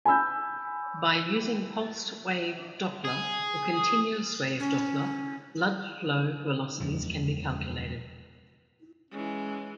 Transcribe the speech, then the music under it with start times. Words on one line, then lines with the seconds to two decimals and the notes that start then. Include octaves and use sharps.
By using pulsed wave doppler or continuous wave doppler bloodflow velocities can be calculated.
0.05 G#5 B5 E6 G6
3.05 G#4
4.60 C#4
6.80 F#1 E2 F3 G#3
9.11 E3 G#3 C#4